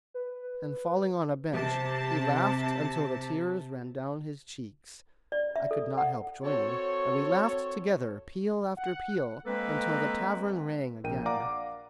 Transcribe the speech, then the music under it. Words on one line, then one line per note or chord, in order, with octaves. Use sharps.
And falling on a bench, he laughed until the tears ran down his cheeks. I could not help joining, and we laughed together, peal after peal, until the tavern rang again.
B4
C3 A5
D5
E5
A4
F#5
C4 F#4 A4 C#5
F#5
G#3 A#3 C4 A4 B4
A#1 A#4 G5 D#7
D5 F5 F#5 A#5 D6